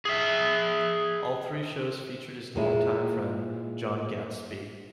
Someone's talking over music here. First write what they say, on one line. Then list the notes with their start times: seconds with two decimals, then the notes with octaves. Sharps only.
All three shows featured his longtime friend Jon Gadsby.
0.05 G#4 E5
2.56 A#2 G#3 E4